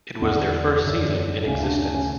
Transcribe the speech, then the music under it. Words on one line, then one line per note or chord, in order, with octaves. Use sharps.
It was their first season in existence.
E2 D3 B3
F#2 D3
D2 C#3 C#4
D4
C#4
C#4